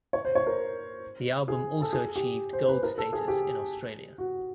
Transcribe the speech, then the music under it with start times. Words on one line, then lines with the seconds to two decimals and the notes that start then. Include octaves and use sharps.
The album also achieved gold status in Australia.
0.13 C#5
0.25 C5
0.35 C#5
0.47 A#4
1.48 G#4
1.82 A4
1.93 G#4
2.16 G4
2.53 C5
2.68 B4
2.83 A#4
2.98 A4
3.13 G#4
3.28 G4
4.18 F#4